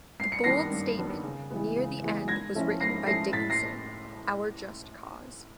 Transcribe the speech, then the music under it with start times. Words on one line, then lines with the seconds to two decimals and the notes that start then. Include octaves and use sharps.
The bold statement near the end was written by Dickinson: Our cause is just.
0.20 G2 C7
0.32 C#7
0.44 D#3 G3 B3 D4 A#6 C7
0.72 G2
0.98 D#3 G3 B3 D4
1.23 C#3
1.50 E3 G#3 B3
1.76 C#3
2.02 E3 G#3 B3
2.28 G#2 G#6 A#6
2.55 F3 A3 C#4 E4
2.80 G#2 A#6 C7
3.06 F3 A3 C#4 E4 A#6 C7
3.32 A2 A6 B6
3.50 A#6 C7